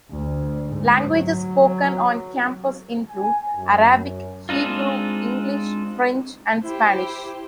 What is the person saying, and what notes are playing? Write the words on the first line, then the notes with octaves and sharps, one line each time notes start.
Languages spoken on campus include Arabic, Hebrew, English, French, and Spanish.
D2
G#2
F#3
G#5
F#2
G#3 C4 D4 D#4 F4
E4 G4 C5